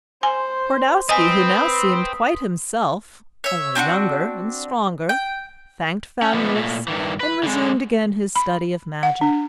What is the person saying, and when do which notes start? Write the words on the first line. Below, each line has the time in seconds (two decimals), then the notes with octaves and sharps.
Twardowski, who now seemed quite himself, only younger, and stronger, thanked Famulus and resumed again his study of magic.
0.23 C5 G#5 C6
1.09 C4 B4 D#5 G#5 D#6 B6
3.44 C#5 E5
3.75 C4 D4 E4 F#4
5.09 G5
6.22 C#4
6.34 D3 F3 G3 A3 B3
6.53 A#2 A3
6.88 G2 D#3 E3
7.20 B4
7.43 D3 G#3
8.36 B5
9.03 F#5
9.21 D4